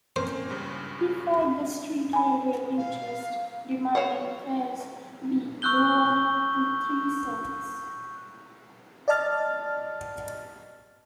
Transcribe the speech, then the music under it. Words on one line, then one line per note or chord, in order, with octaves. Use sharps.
He fought the street railway interest, demanding fares be lowered to three cents.
A#3 C4 C#4 C5
C#2 G2 C#3
G#5 B5
F5
F#4 A4 C#5 F5 F#5
C#6 E6 F#6 G6 G7
D5 D#5 A5 F6 A6